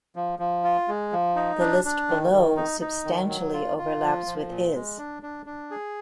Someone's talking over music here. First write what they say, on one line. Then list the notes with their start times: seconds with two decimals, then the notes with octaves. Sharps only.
The list below substantially overlaps with his.
0.16 F3
0.39 F3
0.64 F4
0.88 G#3
1.12 F3
1.36 D#4
1.60 D4
1.85 D4
2.09 D#3
2.32 D#3
2.56 D#4
2.81 D#4
3.05 D#3
3.29 F#3
3.54 F4
3.78 F4
4.02 F3
4.26 F3
4.50 A#2
4.74 G#3
4.98 D4
5.23 D4
5.46 D4
5.71 G#4